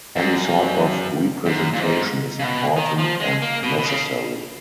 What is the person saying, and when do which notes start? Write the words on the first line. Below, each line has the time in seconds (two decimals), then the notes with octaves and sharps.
Any sort of representation is important and necessary.
0.16 F#2
1.46 F#2
1.73 A#2
1.79 G#2
2.39 C#3
2.43 B2
2.77 D#3
2.98 F3
3.20 G#3
3.42 A#3
3.63 B2
3.78 B2
3.85 C#3